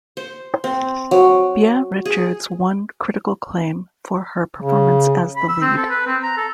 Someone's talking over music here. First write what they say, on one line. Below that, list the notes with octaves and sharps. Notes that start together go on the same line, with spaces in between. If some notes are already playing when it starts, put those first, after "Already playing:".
Beah Richards won critical acclaim for her performance as the lead.
C5
C4
F#3
G#4
C#3
B5
E6
C4
A4
B4
C4
A#5
A4